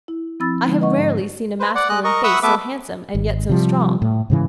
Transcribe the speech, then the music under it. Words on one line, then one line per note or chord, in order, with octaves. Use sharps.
I have rarely seen a masculine face so handsome and yet so strong.
E4
F3 C4 E4 B5 E6 A6
D3 F3 G#3 C4 D#4
B4 D#5 F#5 C#6
G#2
B4 C5
D5 F#5
G#3 D#5 F#6
A#4 D#5 C#6
E5 F#5 B5 C#6 D#6 E6
A3 B3 B4 E5 D6
G#1
C3 F3 G3
A2
G#2 C#3 E3